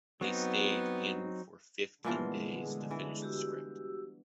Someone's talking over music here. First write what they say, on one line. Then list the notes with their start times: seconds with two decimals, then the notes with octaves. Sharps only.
They stayed in for fifteen days to finish the script.
0.21 F#3 B3 C4 D#4
2.04 A#2 D3 E3 F3 G3 G#3 B3
2.91 E3 D4
3.22 F#4 G4 E6